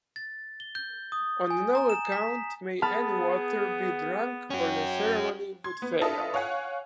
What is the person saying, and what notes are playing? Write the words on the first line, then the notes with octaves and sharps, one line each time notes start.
On no account may any water be drunk, or the ceremony would fail.
A6
G7
G6
D#6
G#5
A#5
E7
B6
B3 G#4 A5 B5 F6
C#4 F#4 G5
C6 G#6
B3
D4 E4 F4 A4 B4 D#5
C#5 F5 F#5 G#5